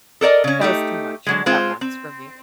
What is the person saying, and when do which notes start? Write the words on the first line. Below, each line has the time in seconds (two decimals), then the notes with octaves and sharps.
That was too much at once for me.
0.21 A4 A#4 D5 D#5
0.44 C#3 C#4
0.61 A3 D#4 G4
1.26 D3 F#3 G#3
1.46 G#3 C4 F4 C5
1.81 C4